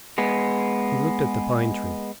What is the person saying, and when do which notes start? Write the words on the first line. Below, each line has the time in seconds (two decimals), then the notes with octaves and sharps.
He looked at the pine-tree.
0.18 G#3 B3